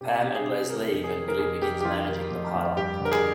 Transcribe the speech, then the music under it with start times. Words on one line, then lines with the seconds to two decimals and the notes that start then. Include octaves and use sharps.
Pam and Les leave and Billy begins managing the parlour.
0.01 C3 G4
0.24 C3 G4
0.35 G#4
0.47 C3
0.70 D#3 A#4
0.93 F2
1.04 G#4
1.16 D#3
1.28 A#4
1.39 F2 G#4
1.62 F2 G4
1.81 G4
1.85 F2 F4
2.08 D#3
2.31 F2
2.54 F2
2.77 G2 G4
3.00 D3 A#4
3.12 G#4